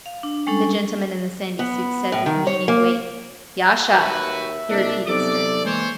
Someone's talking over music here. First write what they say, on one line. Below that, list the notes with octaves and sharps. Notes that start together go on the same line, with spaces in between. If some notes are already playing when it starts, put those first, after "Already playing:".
The gentleman in the sandy suit said with meaning weight. "Yasha!" he repeated sternly.
F5
D4
G3 G#3 C#4 D4 A4
B3
A2
D#3
C#5
A#3
D#2 F#4 B4 E5
C2 A#3 D4 E4 D#5
C3 F#3 B3 D#4 A4 D5 D6
E3 G#3 A#3 C5 C#5